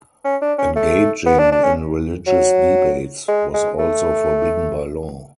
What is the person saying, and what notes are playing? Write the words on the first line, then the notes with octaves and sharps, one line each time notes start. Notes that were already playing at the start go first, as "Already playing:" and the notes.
Engaging in religious debates was also forbidden by law.
C#4
D4
C#4
A3
B3
D4
D4
C#4
F#3
G#3
G#3
A3